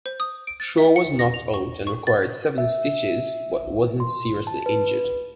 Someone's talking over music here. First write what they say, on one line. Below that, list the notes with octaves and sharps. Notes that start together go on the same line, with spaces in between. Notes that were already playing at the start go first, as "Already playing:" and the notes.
Shore was knocked out and required seven stitches but wasn't seriously injured.
C5
D#6
D7
A6
E5
C#7
A#6
F7
C#6
C#6
A6
E5
C6
A5
B4